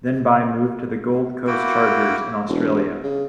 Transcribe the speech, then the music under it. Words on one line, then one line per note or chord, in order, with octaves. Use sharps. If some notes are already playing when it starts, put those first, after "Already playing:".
Then Bai moved to the Gold Coast Chargers in Australia.
A#3 E4 F#4 G5
E1
C#3